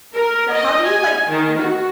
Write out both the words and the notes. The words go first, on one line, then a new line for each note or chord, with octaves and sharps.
Now how do you, like,
A#4
D#5
G#5
D#3
F#4